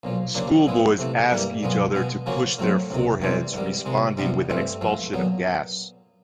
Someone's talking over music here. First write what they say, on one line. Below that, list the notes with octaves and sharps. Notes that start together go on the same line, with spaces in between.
Schoolboys ask each other to push their foreheads, responding with an expulsion of gas.
B1 A#2 F3
D#2 C#3 F3 A#3 D4
A#2 F3 G#3 B3 E4
C3 E3 A3
G2 E3 G3 A#3
B1 A#2 F3 G#3 B3
B2 G#3 B3
C#3 F3 A#3 C#4 F#4
A2 F#3 A3 C4
C#2 C3 D#3
E2 C3 E3 G3 C4
G#2 D#3 G3
C3 D#3 G#3
C3 E3 G3 B3
G2 E3 A3 C4
G#2 F3 A3
A#2 F#3 B3